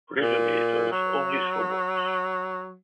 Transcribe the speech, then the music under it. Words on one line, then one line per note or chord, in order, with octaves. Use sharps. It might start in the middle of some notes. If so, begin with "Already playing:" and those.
Originally it was only for boys.
A#2
F#3